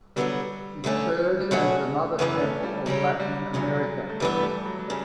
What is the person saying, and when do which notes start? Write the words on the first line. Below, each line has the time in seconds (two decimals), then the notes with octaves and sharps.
It serves as the mother temple of Latin America.
0.16 D3 F#3 G3 B3 F#4 A4
0.84 D2 D3 A3 C#4
1.40 G3
1.51 B2 F#3 A3 C#4 F#4
2.18 F#2 C#3 E3 B3 C#4
2.41 A3
2.63 G3
2.86 C#3 F#3 G3 C#4 G4
3.20 G3
3.53 E2 C#3 E3 F#3
4.09 A3
4.20 G2 E3 G3 B3
4.38 A3
4.43 G3
4.66 F#3
4.79 F#3
4.88 C#3 G3